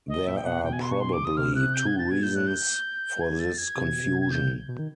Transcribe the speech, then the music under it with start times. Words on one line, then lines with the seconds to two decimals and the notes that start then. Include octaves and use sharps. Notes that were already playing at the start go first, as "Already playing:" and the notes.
There are probably two reasons for this confusion.
0.09 D#5
0.27 A#2 E5
0.37 G5
0.45 B2 F#5
0.63 B2 G5
0.73 G#5
0.82 C6
0.91 C#6
1.00 C6
1.13 D6
1.25 D#6
1.37 C3 F6
1.55 F#6
1.74 G6
1.86 G#6
1.98 A6
2.11 B2 G#6
2.23 A#2 G6
2.35 A2 F#6
2.47 G6
3.21 G#6
3.40 A6
3.58 G#6
3.76 C3
3.90 B2
4.03 C3
4.21 G#6
4.31 G6
4.68 B2
4.79 D#3